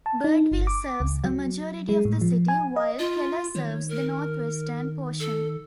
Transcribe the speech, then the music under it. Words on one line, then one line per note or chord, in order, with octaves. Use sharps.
Birdville serves a majority of the city, while Keller serves the northwestern portion.
A5
D#4
G1
D6
C#2
F#3
G#3
A2
F3
G#5
D#5
F4
D#3 C#5
A#4
A4